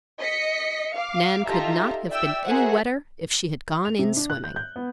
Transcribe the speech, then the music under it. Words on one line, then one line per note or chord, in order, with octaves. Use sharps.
Nan could not have been any wetter if she had gone in swimming.
D#5 B6 C#7
F5 D6
D#4 F4 G4 A4 E5 A#5
D5 E5 G5 E6
F#4 G#4 A#4 C5 E5 F#5
F7
C3
D4
F#6
G6
G6
B3